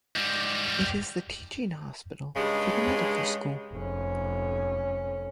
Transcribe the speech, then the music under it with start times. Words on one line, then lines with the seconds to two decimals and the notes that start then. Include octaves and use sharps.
It is the teaching hospital for the medical school.
0.16 G#2 G3
2.36 G2 C#3 G#3
3.74 F1 C#4